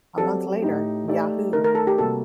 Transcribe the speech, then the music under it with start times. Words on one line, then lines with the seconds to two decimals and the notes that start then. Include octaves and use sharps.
A month later, Yahoo!
0.18 F#3 C4 G4 A4 D5
0.62 A2 A3 D#4 G4
1.08 A3 D#4 G4 D5
1.53 D#3 A3 D#4 A#4
1.64 A#4
1.75 A4
1.87 G4
1.98 C3 G3 A#3 F#4 A4